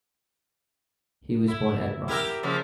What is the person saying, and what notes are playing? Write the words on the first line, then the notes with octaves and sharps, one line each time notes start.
He was born at Reims.
E4
E4 G4 A#4
C#3 F3 A#3